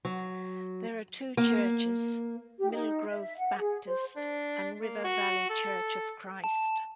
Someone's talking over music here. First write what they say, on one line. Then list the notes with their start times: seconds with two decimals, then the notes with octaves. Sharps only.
There are two churches, Millgrove Baptist and River Valley Church of Christ.
0.05 F#3
1.37 A#3
2.59 G4
2.71 D#4
3.06 E5
3.39 F#5
3.58 G#4
3.86 C5
4.16 D4
4.80 A#3
5.04 F#4
5.50 A4
6.44 A5